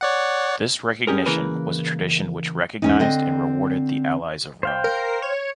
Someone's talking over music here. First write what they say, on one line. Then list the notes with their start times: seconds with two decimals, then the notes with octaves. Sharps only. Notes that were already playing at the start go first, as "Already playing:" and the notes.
This recognition was a tradition which recognized and rewarded the allies of Rome.
0.01 C#5 D5 F#5
1.07 C#4 G4 G#4 A#4
1.26 C#3 E3 A#3 A#4 B4
2.82 E2 C#4 D#4
2.99 D3 C4 D#5
4.63 C5 F5 G5
4.84 A#4
5.22 C#5